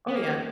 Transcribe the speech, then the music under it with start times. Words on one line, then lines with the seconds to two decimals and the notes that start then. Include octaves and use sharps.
Oh, yeah.
0.08 B3
0.15 A#3